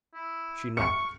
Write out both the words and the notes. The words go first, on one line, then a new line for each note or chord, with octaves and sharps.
She knocked.
E4
C#6 C#7